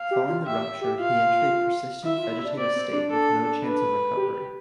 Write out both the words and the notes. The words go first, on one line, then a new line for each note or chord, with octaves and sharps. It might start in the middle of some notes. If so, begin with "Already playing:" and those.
Following the rupture he entered a persistent vegetative state with no chance of recovery.
Already playing: F5
G4
F4
G4 E5
G4
F4 F5
E4 E5
F4
E4
D4
C4 D5
C4
D4
A4
B4
G4
G4